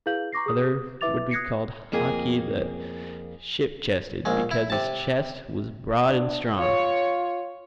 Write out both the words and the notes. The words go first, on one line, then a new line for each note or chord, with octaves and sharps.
The other would be called Haki the Ship-chested because his chest was broad and strong.
E4 G#4 B4 F5 G6 F#7
A#5 C#6 D6 A#6 C7
G#4 D#6
E4 B4 E5 D6 A6 F7
D#6 F#6 G#6 A#6 C7 C#7
F2 A#3 G#4 G#5
A#1 G#3
E4
C3 A5
D4
F4 C#5